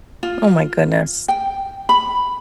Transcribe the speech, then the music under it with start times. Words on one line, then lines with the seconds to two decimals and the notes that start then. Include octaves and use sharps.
Oh my goodness.
0.23 F4
1.28 G5
1.89 B5